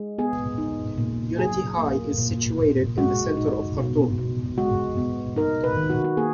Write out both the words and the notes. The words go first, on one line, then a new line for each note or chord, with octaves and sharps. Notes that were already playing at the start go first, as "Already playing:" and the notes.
Unity High is situated in the centre of Khartoum.
Already playing: G#3
B3 G#4
D#4
A#2
F#3 G#4
A#3
A#2
A#2
G#3 F#4
D#4
B2
B2
G#3 F#4
B3
D#4 A#4
B4
D#3
F#4
F#4
A#3 G#4